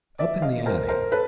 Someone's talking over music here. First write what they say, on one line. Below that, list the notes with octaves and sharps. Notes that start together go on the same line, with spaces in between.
Up in the attic.
D5 E5
D#5 F5
A#4 C5
A#4 C5
A4 B4